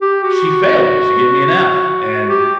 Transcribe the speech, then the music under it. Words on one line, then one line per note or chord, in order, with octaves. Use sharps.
She failed me, she gave me an F, and,
G4
F#4
G4